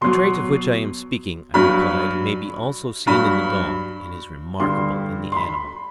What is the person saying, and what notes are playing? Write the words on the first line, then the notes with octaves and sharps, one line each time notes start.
The trait of which I am speaking, I replied, may be also seen in the dog, and is remarkable in the animal.
B2 F#3 C6
G2 F#3 B5
G2 F#3 B5
G2 D3 G3 C6
C6
B5